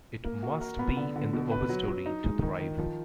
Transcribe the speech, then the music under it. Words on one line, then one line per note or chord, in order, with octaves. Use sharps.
It must be in the overstory to thrive.
A#3
F#4
A#4
B3
D3
D3
B2
B4
F#3
F#3
D#4
G#3
D#3
D#3
F3